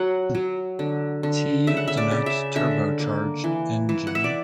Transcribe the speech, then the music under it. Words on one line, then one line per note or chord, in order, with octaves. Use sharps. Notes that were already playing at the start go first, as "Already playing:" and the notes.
"T" denotes turbocharged engine.
Already playing: F#3 F#5
F#3
D3
D3
C#3 E5
F#5
E5
D5
C#3
E5
D3 E5
A#3
E3
E3
F#5
E5
D5